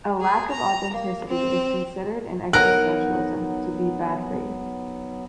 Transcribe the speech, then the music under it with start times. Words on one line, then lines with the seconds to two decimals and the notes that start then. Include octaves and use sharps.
A lack of authenticity is considered in existentialism to be "bad faith".
0.21 G#4
0.50 A#5
0.94 A#3
1.28 C4
2.53 F#3 B3 D#4 A#4 C#5 F#5 F#6